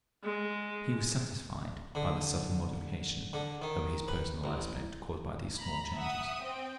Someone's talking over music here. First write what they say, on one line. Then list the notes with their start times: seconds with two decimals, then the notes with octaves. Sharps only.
He was satisfied by the subtle modification of his personal aspect caused by these small changes.
0.24 G#3
1.95 D3
3.33 D3
3.62 D#3
4.08 B4
4.44 A1
5.59 A#5 B5
5.96 E5 F#5 D#6
6.42 C4 G5